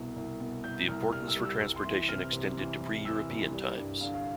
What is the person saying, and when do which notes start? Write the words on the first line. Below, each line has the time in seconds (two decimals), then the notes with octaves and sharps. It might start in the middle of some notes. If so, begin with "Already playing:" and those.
The importance for transportation extended to pre-European times.
Already playing: C2 B2
0.16 C2
0.40 B2
0.64 C2 G6
0.88 C2 F6
1.13 G3 F6
1.28 E6
1.37 G3
1.45 E6
1.61 C2 E6
1.76 C6
1.84 E3
2.09 C3 F6
2.33 C3
2.57 E3
2.81 E3
3.05 E3 E6
3.29 C2
3.53 G3
3.77 G2
4.01 D3 F5
4.14 F5